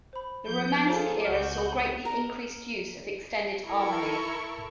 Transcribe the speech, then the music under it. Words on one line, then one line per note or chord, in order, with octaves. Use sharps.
The Romantic era saw greatly increased use of extended harmony.
C5 B5
F3 G6
F4 G#4 A4 C5 C#5 A#5
C#2 F#4 D6 F6 G6
B5
A#4
E4 A4 A#4 C#6